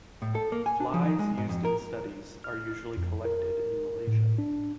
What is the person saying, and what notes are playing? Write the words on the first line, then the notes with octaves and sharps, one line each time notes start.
Flies used in studies are usually collected in Malaysia.
A2
A4
A#3
G#5
D4
F3
D#4
G#3
G#2
F2
A#4
F6
F2
A#4
A2
D4